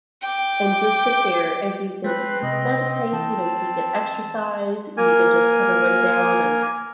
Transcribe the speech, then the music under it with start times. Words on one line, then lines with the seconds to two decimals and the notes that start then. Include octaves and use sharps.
and just sit there, and you can meditate, you know, you can get exercise, you can just kinda lay down, and
0.21 G5 D6
2.04 G#3 C4 B4
2.43 C3 D#5
3.12 E3 A5
4.97 A#3 A#4 G#5